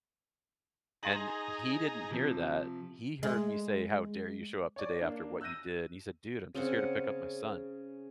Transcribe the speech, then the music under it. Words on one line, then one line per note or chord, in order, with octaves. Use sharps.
and he didn't hear that. He heard me say, "How dare you show up today after what you did?" He said, "Dude, I'm just here to pick up my son."
D#4 G#4 G#5 A#5 C6 F#7
C3 F3
G#3
C#5 D5
A#3 D4
E6 F#6 G6 A#6 D#7
C#3 C4 F#5